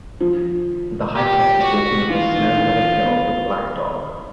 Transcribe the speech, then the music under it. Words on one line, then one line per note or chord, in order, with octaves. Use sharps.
The hiker is walking up a snow covered hill with a black dog.
F3
G4
F#4
E3 F4
D#3
E3
F3
B3